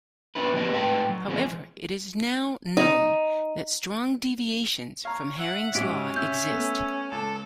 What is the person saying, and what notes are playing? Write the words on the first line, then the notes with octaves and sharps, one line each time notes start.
However it is now known that strong deviations from Hering's law exist.
B3 C#4 D4 E4 B4
F3 B3 D4 G4 B4 D#5
G#2 A3 B4 D#5 G5 A5
F#3
B2 E3 F3 G#3 C#4
D#4
C#5 F5 A#5
E5 F#5
G#2 C#4 F#4 G4 B6 D7
E5 G6
A3 B3
C#2 A4 A5